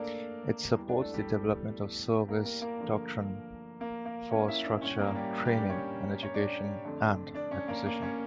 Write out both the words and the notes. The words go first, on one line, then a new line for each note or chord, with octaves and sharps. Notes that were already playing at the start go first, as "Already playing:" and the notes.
It supports the development of service doctrine, force structure, training and education, and acquisition.
Already playing: A3 A#3 D4 A4 A#4 D5
E2 E3 G3
D4 D5
A3 A4
G3 G4
A#3 A#4
A#3 A#4
A#3 A#4
G2 D3 F3 A3
A#3 A#4
A#3 A#4
C#4 C#5
E4 E5
D4 D5
A2 G3 C#4 C#5
A#3 A#4
G3 G4
G3 G4
D4 D5
C#4 C#5
C#5
D4 D5
F2 D3 A3
D4 D5
C#4 C#5
A#3 A#4
A#3 A#4
C#4 C#5